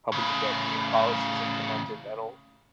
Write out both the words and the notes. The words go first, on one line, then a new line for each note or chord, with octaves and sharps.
hoping to get new policies implemented that'll
A2 C#3